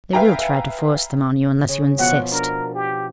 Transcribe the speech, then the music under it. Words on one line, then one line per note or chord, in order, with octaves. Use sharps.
They will try to force them on you unless you insist.
B4 E5 F5 G5 G#5 A#5
C#3
B2 F3 F#5
D4 A#4
G4